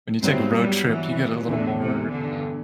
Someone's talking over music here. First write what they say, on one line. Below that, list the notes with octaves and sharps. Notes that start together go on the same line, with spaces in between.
when you take a road trip, you get a little more, uh
G2 F#3 B3 C4 E4
G3
E3
E2 B2 D3 A3 E4
C3
D3